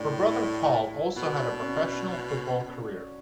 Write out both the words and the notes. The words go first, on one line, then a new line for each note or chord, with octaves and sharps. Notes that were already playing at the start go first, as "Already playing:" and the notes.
Her brother Paul also had a professional football career.
Already playing: A2 D4 G4
E4
B2 F#4
D4
C#4